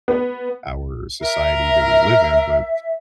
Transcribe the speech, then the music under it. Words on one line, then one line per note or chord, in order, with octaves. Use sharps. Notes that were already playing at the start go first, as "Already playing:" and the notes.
our society that we live in, but,
B3
A#4 E5